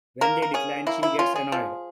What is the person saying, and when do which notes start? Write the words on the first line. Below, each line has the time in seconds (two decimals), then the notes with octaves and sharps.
When they decline, she gets annoyed.
0.21 A#3 A#4
0.42 A#4
0.54 C#4 G#4
0.87 A#3 E4
1.03 E4
1.19 C#4 F4
1.36 G#4
1.52 F3